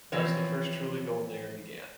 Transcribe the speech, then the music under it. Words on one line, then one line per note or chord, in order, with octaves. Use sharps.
Thus the first truly golden era began.
E3 F3 C4 C#5